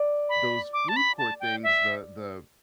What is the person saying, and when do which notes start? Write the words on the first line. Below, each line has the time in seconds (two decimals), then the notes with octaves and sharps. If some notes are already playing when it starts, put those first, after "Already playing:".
those food court things, the the
Already playing: D5
0.29 B5
0.73 D6
0.89 A5
0.96 B5
1.18 A5
1.40 G5
1.63 E5